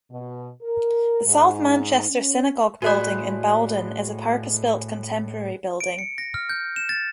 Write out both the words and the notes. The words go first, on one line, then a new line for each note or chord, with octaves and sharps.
The South Manchester Synagogue building in Bowdon is a purpose-built contemporary building.
B2
A#4
G#2
C#4
A2 G#3 F#4 B4 D5 D#6
D7
C#7
A#6
F6
G6
E7
A6